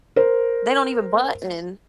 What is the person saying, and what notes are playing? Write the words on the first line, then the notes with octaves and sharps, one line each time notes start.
they don't even button."
A#4 C5